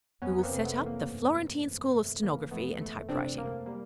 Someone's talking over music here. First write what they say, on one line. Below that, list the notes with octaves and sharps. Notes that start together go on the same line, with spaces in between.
We will set up the Florentine School of Stenography and Typewriting.
F2 B3 C#4
B3
A#3 C4
C3
A3 B3
E3
A#3
G1
C3
G1
G1 A3
E3 A#3
F2 A3 B3
G1 A3
C3 C4 D4
C3 A#3
G3 A#3